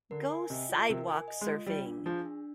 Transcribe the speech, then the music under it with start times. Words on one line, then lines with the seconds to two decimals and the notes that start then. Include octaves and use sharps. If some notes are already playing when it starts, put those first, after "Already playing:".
Go Sidewalk Surfing!
0.11 D3 A#4
0.31 G#5
0.50 C3 D#5
0.69 F4
0.89 C3 A#4
1.08 G#5
1.28 D#5
1.41 G#3
1.48 F4
1.66 G3 F4
1.86 D4
2.06 F3 G#4
2.25 D4